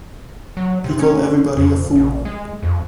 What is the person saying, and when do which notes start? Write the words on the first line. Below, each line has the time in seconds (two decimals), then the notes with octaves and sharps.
He called everybody a fool.
0.57 F#3
0.84 C3
0.99 C#4
1.57 F2
1.96 A#1
2.25 G#3
2.63 F2